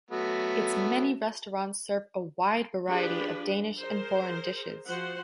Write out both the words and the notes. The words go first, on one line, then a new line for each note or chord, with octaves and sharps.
Its many restaurants serve a wide variety of Danish and foreign dishes.
F#3 A3 B3
F3 D4 G4 G#4 B4
G#4 A#4 C5
F3 F#4 C5 F#5